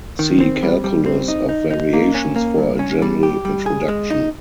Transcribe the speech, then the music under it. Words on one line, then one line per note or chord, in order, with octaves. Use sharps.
See calculus of variations for a general introduction.
D#3
C4
G3
G3
C4
D#4
D#4
D#4
A#3
C#4
A#3
G2
C#4
G3
G4
G3
G#4
G#3
D#4